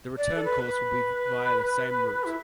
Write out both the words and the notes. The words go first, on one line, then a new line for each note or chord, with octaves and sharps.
The return course will be via the same route.
D5
A4
B4
E4